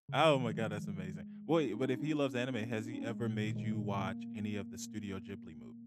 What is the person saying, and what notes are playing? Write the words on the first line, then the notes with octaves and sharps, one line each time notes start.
Oh my god, that's amazing. Wait, but if he loves anime, has he ever made you watch any of the Studio Ghibli movies?
C#3
D#3
F3
G#3
D#4
C#4
D#4
C#4
C#4
A#3
D#4
C#4
A#3
G#3
A#2
A#2
D#3
G#3
C#4
A#3